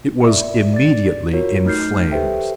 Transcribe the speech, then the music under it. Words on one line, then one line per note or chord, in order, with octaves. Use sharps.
It was immediately in flames.
D5 E5
D5 A6
F4 F#4 A#4 C#5
A3 D#4 F6 G6 C7
G4 A4 B4 C5 E5 G5